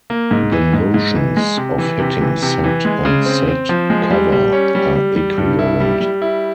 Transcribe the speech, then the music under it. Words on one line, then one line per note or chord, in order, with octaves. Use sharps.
The notions of hitting set and set cover are equivalent.
A#3
G#2
E3
G#2
G#2
E3
G#3
C3
E3
C3
E3
C3
E3
G#3
C#3
C4
C4
F3
G#3
G3
G3
C#4
G3
G3
G3
G2
E4
G3
G3
E4